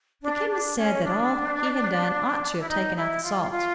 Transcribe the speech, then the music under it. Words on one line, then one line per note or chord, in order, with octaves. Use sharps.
The chemist said that all he had done ought to have taken out the salt.
D4
D4
C#4
D4
E4
D#4
E4
F4
F4